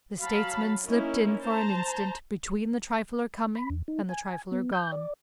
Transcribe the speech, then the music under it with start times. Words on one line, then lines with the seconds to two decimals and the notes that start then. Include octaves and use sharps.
The statesman slipped in for an instant between the trifler coming and the trifler gone.
0.21 F#3 F5 A5 B5
0.86 A#3 C#4 D#4 E4 A#4
1.43 C5 A5 A#5
3.55 B5
3.70 E2
3.88 D#4
4.09 G#5
4.52 B3
4.73 G6
4.92 D5